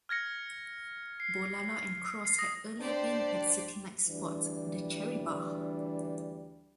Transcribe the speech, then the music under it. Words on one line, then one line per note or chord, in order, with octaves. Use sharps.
Boulala and Cross had earlier been at city nightspot the Cherry Bar.
F6 G#6 A#6 C#7
C7
C7
D#6 A#6
D4 G4 C5 D5
D2 E3 G3 D4